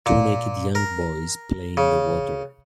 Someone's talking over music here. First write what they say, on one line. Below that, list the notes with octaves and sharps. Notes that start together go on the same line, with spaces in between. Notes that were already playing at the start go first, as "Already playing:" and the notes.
Two naked young boys play in the water.
A#2
A#4
C#3